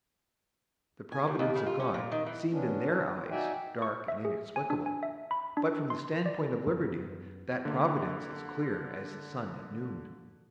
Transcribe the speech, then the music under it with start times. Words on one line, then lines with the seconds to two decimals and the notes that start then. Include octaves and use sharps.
The Providence of God seemed in their eyes dark and inexplicable; but, from the stand-point of Liberty, that Providence is clear as the sun at noon.
1.12 G#5
1.27 D#2
1.39 D#2
1.55 C#3
1.66 F4
1.80 C#4
1.94 A#2
2.12 D#3
2.26 E3
2.52 B3 C#4 D4
3.31 D#4 F#4 D5 E5 G5 G#5
3.82 C#6
4.08 E5
4.25 G#4
4.56 G#5
4.70 D4
4.86 G#5
5.03 E5
5.31 B5
5.57 D4
5.90 C6
6.26 D5
6.66 F#2 B3
7.65 D3 A#3